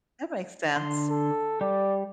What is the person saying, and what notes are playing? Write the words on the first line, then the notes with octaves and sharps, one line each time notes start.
That makes sense.
D3 C6
A4
G3 G4 D5